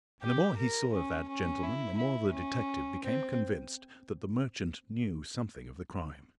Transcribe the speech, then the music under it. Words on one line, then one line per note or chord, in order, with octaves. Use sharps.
And the more he saw of that gentleman the more the detective became convinced that the merchant knew something of the crime.
G4
A#4
C#4
C#4
E4
E4
C#4
C4